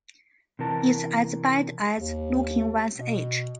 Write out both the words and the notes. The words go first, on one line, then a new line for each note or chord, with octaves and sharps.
It's as bad as looking one's age.
C3 E3 A#4 A5
D#2
B2